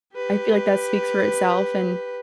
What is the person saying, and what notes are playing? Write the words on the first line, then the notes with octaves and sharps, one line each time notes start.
I feel like that speaks for itself, and
G4 B4